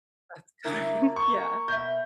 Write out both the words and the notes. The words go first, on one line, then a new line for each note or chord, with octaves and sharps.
that's good, yeah,
C#3 A#3 D4 E4
C#6
B2 E5 G6